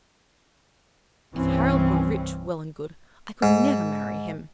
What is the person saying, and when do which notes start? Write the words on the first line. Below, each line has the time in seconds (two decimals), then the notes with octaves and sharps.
If Harold were rich--well and good, I could never marry him.
1.34 C2 G2 E3 C4 C#4
3.43 G#2